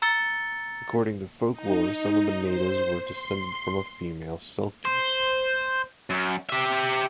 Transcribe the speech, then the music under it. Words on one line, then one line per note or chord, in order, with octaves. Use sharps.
According to folklore, some of the natives were descended from a female selkie.
A#5 E6 A6 C#7 G7
D#4
C5
C6
C5
F#2
G4 E5